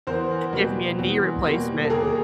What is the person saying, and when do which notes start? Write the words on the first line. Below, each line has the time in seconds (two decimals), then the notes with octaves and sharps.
give me a knee replacement."
0.07 E2 A#4 C5
0.53 B2 G3 A#3
0.99 E2
1.44 B2 G3 A#3
1.85 A4
1.90 D#2 G#4 A#4